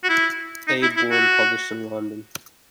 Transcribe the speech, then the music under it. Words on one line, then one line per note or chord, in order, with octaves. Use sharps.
A. Bourne published in London.
F#4
E4
D#4
E4
E4
F#4